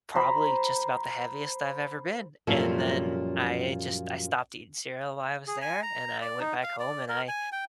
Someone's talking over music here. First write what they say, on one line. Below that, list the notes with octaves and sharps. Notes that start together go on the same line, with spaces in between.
probably just about the heaviest I've ever been," and then I just I stopped eating cereal while I was there, and I went back home, and I
C5 A#5 B5
F#2 A#2 F3 G3 C#4 A4
G#4
G#5
A#5
D5
D#4
F5
D5
A#4
G#5
G5